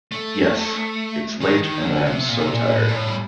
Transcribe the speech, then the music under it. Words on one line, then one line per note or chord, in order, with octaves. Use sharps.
Yes; it's late, and I'm so tired.
A3
D#3
D#3
D3
C3
A#2
C3
A#2
A2
A#2
A2
G3